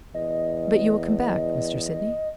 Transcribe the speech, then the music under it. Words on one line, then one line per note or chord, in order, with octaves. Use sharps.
"But you will come back, Mr. Sydney?"
E2 D#5